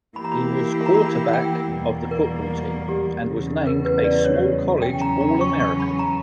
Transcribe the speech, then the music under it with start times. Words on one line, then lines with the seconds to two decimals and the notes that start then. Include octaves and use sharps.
He was quarterback of the football team, and was named a small college All-American.
0.16 E3 A#3 E4 G4 B5
0.24 A#5
0.32 B5
0.86 A#5
0.94 B5
1.28 F#5
1.33 G5
1.72 E2 B2 G3 A#3
2.11 A#4
2.89 G4
3.27 E2 C#3 G3
3.67 A#4
3.85 B4
4.04 D5
4.24 C#5
4.82 E2 C#3 F#3 C#4 G5
5.01 A#5
5.21 A#5
5.41 C#6
5.60 C#6
5.80 B5
5.99 A#5